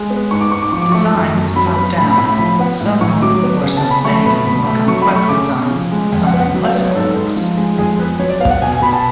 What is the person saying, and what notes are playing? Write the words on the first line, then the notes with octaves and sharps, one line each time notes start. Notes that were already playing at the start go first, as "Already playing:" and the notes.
Design is top-down, someone or something more complex designs something less complex.
Already playing: G#3
B3
G#2 C#6
D6
G#2 C#6
D6
F3 C#6
D6
A3 C#6
F#2
F#2
F#3 B5
B3
A2 B5
B5
A2
B5
F3 B5
B3 F#5
A2
A2 C#6
F#3 D6
B3
C#3
A5
C#3
B5
A3 C#6
B2 B5
B2 B5
A3 A5
F#3 C#6
B5
A3
C#6
C#3 D6
C#3
F3
G#3
F2
F#5
B3
F#5
F#3
F5
B3 D5
C#5
G#2 A4
G#2
F3
G#3
F2 G#4
B3 B4
F#3 C#5
D5
B3 F5
F#5
B2 G#5
G#5
B2 B5
A5